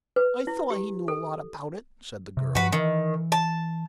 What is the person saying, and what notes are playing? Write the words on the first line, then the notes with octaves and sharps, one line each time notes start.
"I thought he knew a lot about it," said the girl.
B4
E4
G4
A4
C3
G2 F3 F#4 B4
D#3 E3
A5